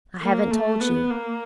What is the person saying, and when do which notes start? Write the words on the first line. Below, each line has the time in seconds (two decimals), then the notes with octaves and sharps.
I haven't told you.
0.22 A#3
0.51 A3
0.80 B3
1.10 A#3